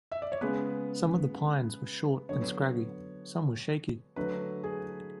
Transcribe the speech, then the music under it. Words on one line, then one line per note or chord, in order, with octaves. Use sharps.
Some of the pines were short and scraggy, some were shaky.
E5
D5
C#5
C#3 G#3 B3 B4
D3 F#3 B3 C#5
D3 F#3 A3 B4
G#4